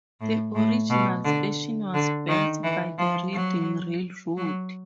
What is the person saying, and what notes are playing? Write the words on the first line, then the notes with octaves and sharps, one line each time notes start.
The original station was built by the Reading Railroad.
A2
A2
B2
D3
D3
D#3
E3
F3
F#3
F#3